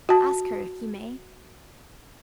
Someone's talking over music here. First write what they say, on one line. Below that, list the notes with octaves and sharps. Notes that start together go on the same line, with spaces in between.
"Ask her if you may."
F#4 A5